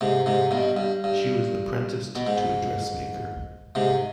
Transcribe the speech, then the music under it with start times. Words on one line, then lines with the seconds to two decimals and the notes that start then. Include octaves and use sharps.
She was apprenticed to a dressmaker.
0.01 G#2 C3
0.26 G#2 C3
0.51 G2 B2
0.77 G2
1.04 G2
2.16 B2
2.27 G#2
3.75 G#2 C3